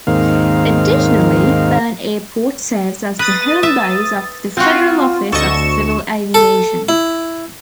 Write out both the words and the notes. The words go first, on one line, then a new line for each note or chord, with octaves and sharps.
Additionally, Bern Airport serves as the homebase of the Federal Office of Civil Aviation.
D#2 G#2 D#3 A#3 C4 F5
B4 D#6 A6
E5
C4 F4 F#4
D2 A4 D#5 C#6 E7
A4
E4